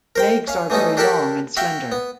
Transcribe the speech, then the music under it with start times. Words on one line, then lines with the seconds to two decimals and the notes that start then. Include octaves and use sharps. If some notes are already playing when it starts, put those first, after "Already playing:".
Legs are very long and slender.
0.16 A#4 C5 G5
0.48 C#4 F5
0.70 E3 A3 B3 C#4 D#4
0.97 D4 G4 A4 A#4 A5 B5
1.57 F#4 E5 F5 G5
1.92 B3